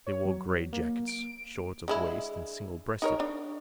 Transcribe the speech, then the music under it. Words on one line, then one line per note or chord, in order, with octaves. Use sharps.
They wore gray jackets, short of waist and single-breasted.
C#5
F#3
A#3
D7
D3 G#3 E4
D#4 A#4 C#5
D4